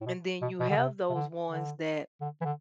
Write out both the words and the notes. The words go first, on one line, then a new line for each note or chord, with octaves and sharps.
and then you have those ones that
A2
B2
B2
B2
D3
C3
C3
D3
D3
D3
E3
D3